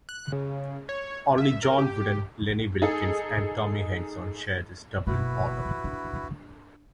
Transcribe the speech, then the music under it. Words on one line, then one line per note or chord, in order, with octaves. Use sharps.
Only John Wooden, Lenny Wilkens and Tommy Heinsohn share this double honor.
F#6
C#3
C#5
E5
A#4
G4
D#4 G#4 A4
F#1 B2 E4 F#4 B4
D4